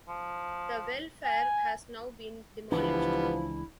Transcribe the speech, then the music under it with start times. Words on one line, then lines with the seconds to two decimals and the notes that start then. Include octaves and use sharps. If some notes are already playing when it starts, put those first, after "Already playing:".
The welfare has now been demolished.
0.08 F3
1.25 G#5
2.72 C#2 E3 F3 G3 B3 D4 E4